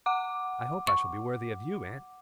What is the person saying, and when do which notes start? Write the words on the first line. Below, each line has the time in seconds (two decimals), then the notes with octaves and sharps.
'I hope I shall be worthy of YOU, aunt.
0.06 F#5 D6
0.87 C#6